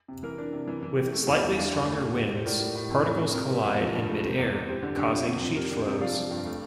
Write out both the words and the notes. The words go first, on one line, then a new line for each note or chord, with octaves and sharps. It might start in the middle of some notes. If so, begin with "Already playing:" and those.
With slightly stronger winds, particles collide in mid-air, causing sheet flows.
C3
E3 A#4
D4
C3
E3
E3
G3
A3
E2
C5 E5
E2
D4 D5 F5
G2
A3
A2
G3
G3
C5
A2 A#4 D5
A2
A2
F2
A3
F2
C3 A#4
G3
E2
F3
G2
A3
C3 C5
E2
E2
G3 C5
D3
D3
F2
C3
F2
G3 A#4
D4
C5
C3
F3 D5 F5
F3
G2
A3